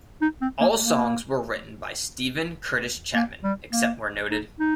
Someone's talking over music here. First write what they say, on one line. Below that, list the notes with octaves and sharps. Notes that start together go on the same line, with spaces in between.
All songs were written by Steven Curtis Chapman, except where noted.
D#4
C4
A#3
A#3
A#3
G3
A#3
D#4
D#4